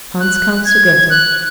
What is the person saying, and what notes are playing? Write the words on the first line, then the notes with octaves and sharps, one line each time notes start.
Hans comes to Grettel.
F#6
G#6
F#6